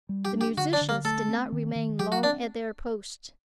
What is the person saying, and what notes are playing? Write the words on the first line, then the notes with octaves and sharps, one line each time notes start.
The musicians did not remain long at their post.
G3
G4
D4
G4
D3 F#4
D4
D3
A#3
A3 A4
C4
D#3
D#3
F#3 G4
F#4
C4 D4